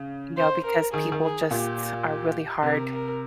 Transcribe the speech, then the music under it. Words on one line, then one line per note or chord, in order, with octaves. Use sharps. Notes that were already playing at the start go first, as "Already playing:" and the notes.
you know, because people just are really hard,
Already playing: C#3
C5
A#4
D#3 G#4
D#3
G#4
A#2 G4
G4
C3 A#4
A#4